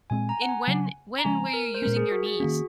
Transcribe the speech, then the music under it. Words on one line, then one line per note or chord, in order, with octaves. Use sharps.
in when when were you using your knees?
A#2 G#3 C4 G#5
A#5
F#5
G#5
C#3 F#3 C#4
A#5
C#3 F3 G#3 C#4 G#5
A#4
C5
A#2 G#3 C#4 A#4
G#4
F#4
G#4
D#3 A#3 C#4 F#4